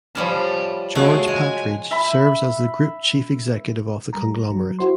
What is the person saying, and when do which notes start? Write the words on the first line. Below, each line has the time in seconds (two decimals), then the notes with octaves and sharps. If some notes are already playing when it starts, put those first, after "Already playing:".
George Patridge serves as the Group Chief Executive of the conglomerate.
0.15 F3 G3 C#4 A5 B5
0.95 C#3 G#3 A3 F#4
1.28 G#3 G#5
1.91 E5 B5
4.13 G3 A#5
4.51 F#3
4.79 E4 F#4 C5 C6